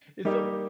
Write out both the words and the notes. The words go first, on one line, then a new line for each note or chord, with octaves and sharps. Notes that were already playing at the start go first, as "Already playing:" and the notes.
It's a l
G3 A#3 D#4 G4